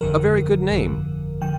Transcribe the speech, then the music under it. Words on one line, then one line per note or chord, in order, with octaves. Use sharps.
A very good name!
G1 F2 D3 F3 A#4
G1 F2 D3 F3
D3 F3 G5